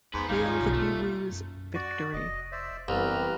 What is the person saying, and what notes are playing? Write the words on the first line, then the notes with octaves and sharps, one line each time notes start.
Hail the Guru's victory!
E2 G#2 B3 B4
G#1 D#2 G3 C#4 D#4 F5
F4
B1
A3 A#3
F#2
F#4 D5
F1 D#5
C5 D5 E5
C2 F#2 E3 B3 G4 B4 A#5 F6